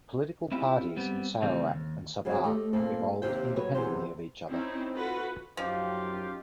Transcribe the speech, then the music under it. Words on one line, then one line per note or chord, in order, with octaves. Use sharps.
Political parties in Sarawak and Sabah evolved independently of each other.
C4 E4 F4 G4
G3 B3 C4
C#3 E3 G3 A3 C4
D#2
F#2 C#3 F#3 C4
A3 G4 D#5
A#2 A#3 C4 A4
D#2 C3 A#3 C4 G5
F#3 B4 C#5
E2 C3 E3 C5
C4 C#4 D#4 E4
F4 F#4 A4 B4 F#5
F#2 F3 D#4 F4 G4